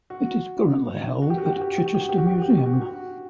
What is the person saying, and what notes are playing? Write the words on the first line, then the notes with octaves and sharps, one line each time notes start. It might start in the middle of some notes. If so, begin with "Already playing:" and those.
It is currently held at Chichester Museum.
F#4
F#4
G4
F#4
G4
F#4
G4
F#4
G4
F#4
G4
F#4
G4
F#4
G4
F#4
G4
F#4
G4
F#4
G4
F#4